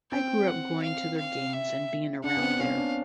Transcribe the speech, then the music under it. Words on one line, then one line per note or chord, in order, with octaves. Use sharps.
I grew up going to their games and being around there.
C4 G5
F#5
F5
F5
E5
D4 F#5
B3
C4
C#4 F5
D4